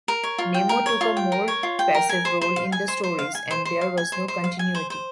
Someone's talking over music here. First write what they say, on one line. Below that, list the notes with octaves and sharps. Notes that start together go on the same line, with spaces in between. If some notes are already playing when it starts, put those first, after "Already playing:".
Nemo took a more passive role in the stories, and there was no continuity.
A#4
C#5
F4
G5
A#4
C#5
F4
G5
A#4
C#5
F4
G5
A#4
G#5
C5
C5
F5
G#5
C5
C5
F5
G#5
C5
C5
F5
G#5
C5
C5
F5
G#5
C5
C5